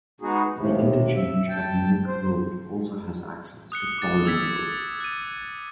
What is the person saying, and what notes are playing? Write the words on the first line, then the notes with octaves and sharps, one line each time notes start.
The interchange at Minnich Road also has access to Paulding Road.
G#3 B3 D#4 F#4 G#4
D#2 C3
E5
G5 A5
C5
D#6 F#6 C#7 G7
D6 A6
D#6 E6 G#6 B6
F#6 D#7